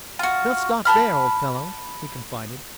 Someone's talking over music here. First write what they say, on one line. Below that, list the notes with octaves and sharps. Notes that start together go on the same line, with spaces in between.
"They'll stop there, old fellow," he confided.
F4 F#4
A5 B5 F6